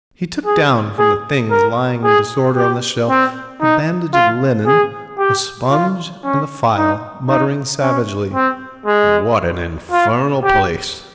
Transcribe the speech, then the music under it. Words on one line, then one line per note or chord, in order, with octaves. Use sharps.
He took down from the things lying in disorder on the shelf a bandage of linen, a sponge and a phial, muttering savagely, "What an infernal place!"
G#4
G#4
A#4
G#4
G4
C4
D#4
F4
G#4
G4
F4
C#4
D#4
D#4
C#4
C4
G#3
F4
G4